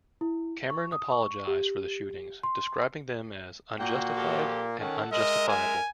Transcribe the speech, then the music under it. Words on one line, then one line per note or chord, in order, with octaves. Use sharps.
Cameron apologised for the shootings, describing them as "unjustified and unjustifiable".
E4
C#6
D#6
C#6
G4
C6
A#2 A#3 F#4 F#5 G5
F3 G4 A4
D#3 C#4 A4 F#5
G#3 A#4 D#5 E5
G#5